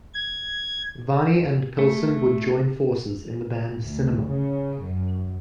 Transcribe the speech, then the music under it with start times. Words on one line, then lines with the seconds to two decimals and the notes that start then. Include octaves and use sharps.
Varney and Pilson would join forces in the band Cinema.
0.14 G#6
1.79 A3
3.82 D2
4.31 C#3
4.83 F#2